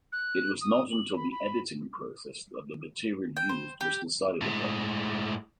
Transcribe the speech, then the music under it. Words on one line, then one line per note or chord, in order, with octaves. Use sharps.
It was not until the editing process that the material used was decided upon.
F#6
D#6
F#7
B5
B5
G5
C5
G4
A2 G#3